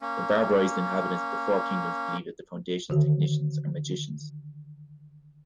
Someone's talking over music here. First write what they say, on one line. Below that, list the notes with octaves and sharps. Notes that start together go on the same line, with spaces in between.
The barbarized inhabitants of the four kingdoms believe that the Foundation's technicians are magicians.
A#3 C#4
D3 D#3 F#4